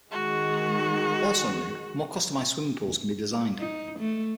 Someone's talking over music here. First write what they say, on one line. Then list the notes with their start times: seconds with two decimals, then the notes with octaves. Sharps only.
Also new, more customized swimming pools can be designed.
0.12 D#3 G#3 F#4
3.59 D#4
3.99 A3